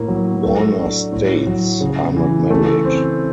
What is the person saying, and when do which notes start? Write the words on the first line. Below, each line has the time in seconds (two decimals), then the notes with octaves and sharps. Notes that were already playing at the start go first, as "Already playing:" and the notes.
Warner states, I'm not married.
Already playing: A2 A#3
0.08 F#3
0.43 A3
0.78 D4
1.12 A2
1.47 F#3
1.81 C#3
2.16 E3
2.50 A3
2.85 C4